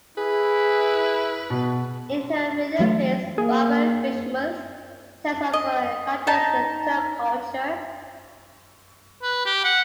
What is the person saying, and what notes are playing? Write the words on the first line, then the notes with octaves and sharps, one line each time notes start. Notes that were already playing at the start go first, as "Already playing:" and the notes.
In her radio plays, Barbara Frischmuth tells of her encounters with Turk culture.
E4 G#4 B4
B2
E3 F#3 A3
A#3 G#4
D#5
D#4 A5
B4
G4
F#5